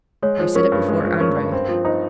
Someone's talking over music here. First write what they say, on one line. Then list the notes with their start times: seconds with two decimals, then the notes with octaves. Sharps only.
You said it before Andrey.
0.22 G#3 C#5
0.40 F3 C5
0.55 C#4 A#4
0.72 G2
0.88 G#3
1.05 F3
1.20 C#4 A#4
1.36 G2
1.52 C4
1.68 F3
1.85 D#4 C5